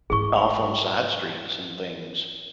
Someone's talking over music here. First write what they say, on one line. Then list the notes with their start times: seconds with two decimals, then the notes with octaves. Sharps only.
off on side streets and things,
0.10 G#2 E4 G#4 C#6